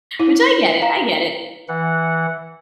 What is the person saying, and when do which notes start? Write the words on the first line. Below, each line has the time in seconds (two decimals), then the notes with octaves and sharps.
Which I get it, I get it.
0.20 E4
0.82 F5 A#5
1.68 E3 F#5